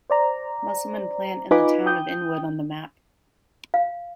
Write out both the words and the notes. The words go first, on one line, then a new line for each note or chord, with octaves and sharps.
Musselman plant and the town of Inwood on the map.
C5 D5 A#5
D#4 F4 B4 G#5 B5 D6
G5 D#6 G6
F5